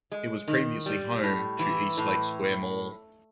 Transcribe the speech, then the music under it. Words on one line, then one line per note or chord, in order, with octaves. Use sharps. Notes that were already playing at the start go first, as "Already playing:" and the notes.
It was previously home to East Lake Square Mall.
G#3
D#3
G3
A2
E3
A2